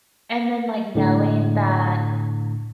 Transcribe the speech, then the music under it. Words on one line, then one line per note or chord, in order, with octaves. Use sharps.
And then, like, knowing that
A2 D3